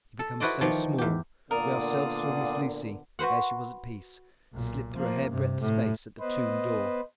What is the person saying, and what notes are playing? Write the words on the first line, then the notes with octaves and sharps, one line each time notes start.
He become so small--we ourselves saw Miss Lucy, ere she was at peace, slip through a hairbreadth space at the tomb door.
A4
E4 F#4 B4 C5 D5 D#5
D#3 F3 D#4 C#5 D5
E2 G4
A#2 D3 B3 A#4 D5 F5 D#6
F#4 B4 C5 F#5
B1 A#2
F3 A#3
G2 C3
A2
B3 B4 C5 D#5